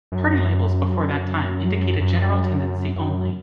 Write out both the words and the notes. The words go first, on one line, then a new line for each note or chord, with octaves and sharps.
Party labels before that time indicate a general tendency only.
F#2
F#2
F#2